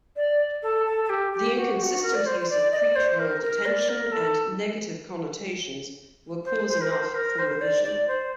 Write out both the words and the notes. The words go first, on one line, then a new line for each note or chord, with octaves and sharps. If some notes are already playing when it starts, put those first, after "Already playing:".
The inconsistent use of pre-trial detention and negative connotations were cause enough for revision.
D5
A4
A4
A4
G4
G4
F#4
G4
F#4
A#4
D5
C5
C5
D5
D#5
D5
C5
A#4
A#4
D5
A#4
A4
C5
C5
A#4
C5
A#4
C5
D5
D5
C5